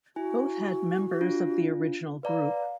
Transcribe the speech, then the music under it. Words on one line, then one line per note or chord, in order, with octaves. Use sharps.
Both had members of the original group.
E4 F#4 G#5
D4 F4
B4 D5 F5 A#5